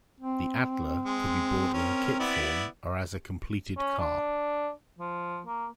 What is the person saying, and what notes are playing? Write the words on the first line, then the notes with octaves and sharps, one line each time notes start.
The Atla could be bought in kit form or as a completed car.
C4
G#3
C#4 A#4
B3 E4 D5
C#4
D4
F3
A#3